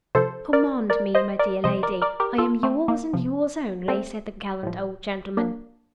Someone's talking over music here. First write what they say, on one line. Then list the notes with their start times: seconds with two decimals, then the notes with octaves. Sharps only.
"Command me, my dear lady--I am yours and yours only," said the gallant old gentleman.
0.15 C3 F3 A4 C5
0.53 A#4 D5
0.90 A#4 D5
1.15 C5 D#5
1.39 A#4 D5
1.64 C3 F3 C5 D#5
1.83 A#4 D5
2.02 A#4 D5
2.20 G4 A#4
2.38 F4 A4
2.63 A3 C4
2.88 A#3
3.13 C3 F3
3.88 A3 C4
4.63 A2 F3
5.37 A#3 D4